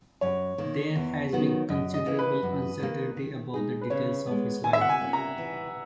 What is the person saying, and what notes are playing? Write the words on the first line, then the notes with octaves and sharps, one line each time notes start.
There has been considerable uncertainty about the details of his life.
F#2 C#5
D#3 A#3
E2
D#3 F#3 B3 F#4
F#2 D#5
D#5
E3 A#3 C#4
B4
F#2
D#3 A#3
D#3
G#3 D#4 G#4
B4
C#3 C#5
G#3 B3
D#3 G#5
E5
F#5
G#5
A#3 C#4
A#5
E3